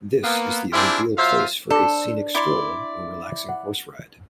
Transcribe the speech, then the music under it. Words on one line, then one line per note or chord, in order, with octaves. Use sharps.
This is the ideal place for a scenic stroll or relaxing horse ride.
A#3 B3
C4 D4 E4 F4 G4 G#4
F#3 F4 C5 E5 F5
D4 A4 C5
E4 D5 C6
F#5